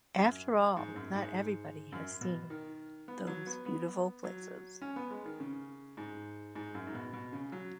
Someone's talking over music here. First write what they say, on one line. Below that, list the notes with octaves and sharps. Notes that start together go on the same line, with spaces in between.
After all, not everybody has seen those beautiful places.
F#2
G#2
F#2
G#2
F#2
B2
D#3
B3
F#3
B3
B3
F#3
C#4
B3
G#3
D#3
C#3
G#2
G#2
F#2
G#2
B2
B2
C#3
F#3